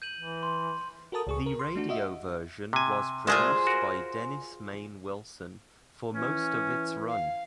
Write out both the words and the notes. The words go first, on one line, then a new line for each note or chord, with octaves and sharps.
The radio version was produced by Dennis Main Wilson for most of its run.
G6 D#7 F#7
E3
C6
F#4 A4 A#4 A5 D#6
C#2 G#4 C#6
A#4
C6
A3 D4 F#4
F#4 D#5 E5
C3 G#5
C2 G#3 A3 F4 G#4 C5
F#4 A#4
E3 C#4
F5